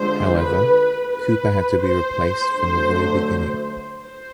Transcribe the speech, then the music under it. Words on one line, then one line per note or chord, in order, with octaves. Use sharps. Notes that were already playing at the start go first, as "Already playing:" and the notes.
However, Cooper had to be replaced from the very beginning.
Already playing: D3 F3 G#3 C5
B4
B4
C5
D3 F#3 A3
C5